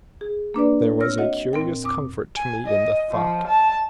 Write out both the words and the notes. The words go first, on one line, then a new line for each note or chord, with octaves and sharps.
There was a curious comfort to me in the thought.
G#4
A#3 D4 B4 D5
C4 C#5 E6 F6 A#6
F#4 C#5 D#5 E5 F#5
A#2 C4 A#4 G5
E2 C4 D6 D#6
G#5
D#5
F3
A5